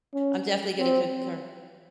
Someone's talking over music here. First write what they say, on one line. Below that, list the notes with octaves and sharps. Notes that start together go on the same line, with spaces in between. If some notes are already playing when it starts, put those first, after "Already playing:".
I'm definitely gonna concur
C#4
C4